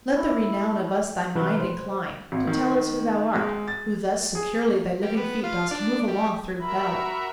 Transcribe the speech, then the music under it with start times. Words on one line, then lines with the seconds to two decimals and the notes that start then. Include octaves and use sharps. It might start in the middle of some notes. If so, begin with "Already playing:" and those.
Let the renown of us thy mind incline To tell us who thou art, who thus securely Thy living feet dost move along through Hell.
0.12 E4
1.35 C3 E3 G3 B5 F6 F#6
1.60 C5
2.32 G#1
2.47 D#3
3.35 G#3
3.68 A6
4.35 G#4
5.03 G3
5.17 B3
5.44 F4
5.71 D4
6.08 G3
6.60 F#4 A#4 E5 B5